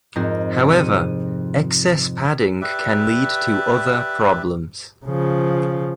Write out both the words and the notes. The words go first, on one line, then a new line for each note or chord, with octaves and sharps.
However, excess padding can lead to other problems.
F2 G#2 C4 A#4 A#6
C3 C#7 D#7
G4 B4 D5 E5
C#3 F3